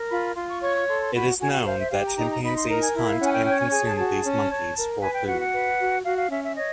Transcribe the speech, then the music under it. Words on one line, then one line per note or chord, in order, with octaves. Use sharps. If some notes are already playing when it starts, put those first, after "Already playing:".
It is known that chimpanzees hunt and consume these monkeys for food.
Already playing: A#4
F4 B5
F4 C6
C#6
C#5 C#6
C#6
A4 C6
C6
F#4 B5
F#4 G#5
F#5
C5 F5
E5
G4 F5
A#5
D#4 A#5
A#5
D#4 B5
C6
A#4 A#5
G#5
E4
F5
C#4 F#5
G#5
G5
C#5 G5
G#5
G#4 G#5
A5
F#4 A5
C#4
C#5
A#4
B4 G#5
G5
F#4 F#5
F#5
B4
F#4
F#4 F5
F5
C#4 E5
E5
C#5 D#5